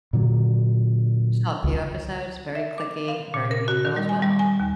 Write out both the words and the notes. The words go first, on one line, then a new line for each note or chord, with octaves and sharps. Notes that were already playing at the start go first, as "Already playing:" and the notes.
saw a few episodes, very cliquey, very mean girl as well,
A#2 D3 F#3
C#2
E5
D6
F5
A#2
A#4
F#4
D#3
G3
G#5
G3
G#5
D#2